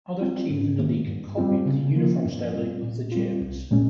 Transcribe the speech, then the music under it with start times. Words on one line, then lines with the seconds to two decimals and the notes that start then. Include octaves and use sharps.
Other teams in the league copied the uniform styling of the Gems.
0.21 G3 C4 F4
0.50 G#2
0.79 D#3 A#3
1.08 G2
1.37 G3 C4 F4
1.66 C#3
1.96 F3 A#3 F4
2.25 G2
2.54 G3 C4 F4
2.82 A#2
3.12 G3 C4 F4
3.41 C2
3.71 A#2 G#3 C#4